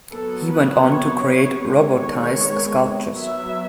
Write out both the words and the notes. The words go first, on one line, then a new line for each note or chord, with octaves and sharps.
He went on to create robotized sculptures.
F#3 B3 A4
B4
C#5
D#3 G#3 B3 C#5
F#3 B3 E5